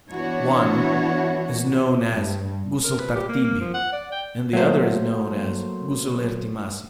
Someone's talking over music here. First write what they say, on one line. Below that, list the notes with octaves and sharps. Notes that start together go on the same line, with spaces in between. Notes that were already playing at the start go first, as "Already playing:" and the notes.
One is known as ghusl tartibi, and the other is known as ghusl irtimasi.
E3 B3 D4 E4 F#4 C#5
G2 G3
A#4
B4
G4
A#3
A#3
F3
F#5
D5
G5
F#3 A3 A#3 C5